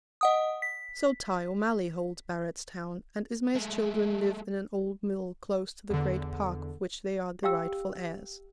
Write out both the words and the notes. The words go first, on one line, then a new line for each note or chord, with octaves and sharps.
So Tighe O'Malley holds Barrettstown, and Ismay's children live in an old mill close to the great park of which they are the rightful heirs.
D#5 F#5 D#6
B6
G#3 A3
E2 D3
G4 F5 G5 E6